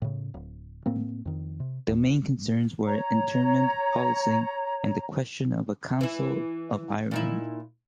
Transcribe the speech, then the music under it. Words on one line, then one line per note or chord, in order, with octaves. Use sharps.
The main concerns were internment, policing and the question of a Council of Ireland.
A2 C#3
D1
A2 A#3 C4
F2 D#3
C3
E1 D#2
C#5 A#5
E3 E4
A#2 D#4 E4